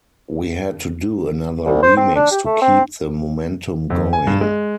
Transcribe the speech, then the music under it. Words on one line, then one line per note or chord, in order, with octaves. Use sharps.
We had to do another remix to keep the momentum going.
C2
C5
C4
D4
G4
A3
C4
F2
G#5
G2
G#3